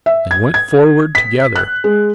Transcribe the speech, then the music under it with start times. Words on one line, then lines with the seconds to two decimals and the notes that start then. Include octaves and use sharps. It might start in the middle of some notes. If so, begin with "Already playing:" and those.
They went forward together.
0.06 E5
0.31 G#6
0.54 G#6
1.15 B6
1.56 F#6
1.84 G#3